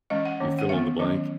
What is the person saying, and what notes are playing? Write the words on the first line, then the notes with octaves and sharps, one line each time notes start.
you fill in the blank,
E3 G#3 C#4 D#5
F#5
D#3 A#3 C#4
F#5
E3 G#3 B3 E5
D#3 F#3 C#4 D#5